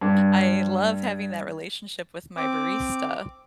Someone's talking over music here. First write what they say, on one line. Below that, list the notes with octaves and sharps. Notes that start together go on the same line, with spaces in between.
I love having that relationship with my barista,
G2
C4 D6